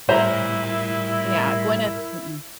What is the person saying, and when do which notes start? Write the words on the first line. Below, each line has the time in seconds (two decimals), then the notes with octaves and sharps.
Yeah, Gwyneth. Mm-mm.
0.09 A2 G3 E4 A#4 C5 D5 E5 A#5